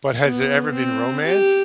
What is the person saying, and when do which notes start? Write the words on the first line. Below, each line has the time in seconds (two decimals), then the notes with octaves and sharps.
but has there ever been romance?
0.23 B3
0.74 C4
1.25 G4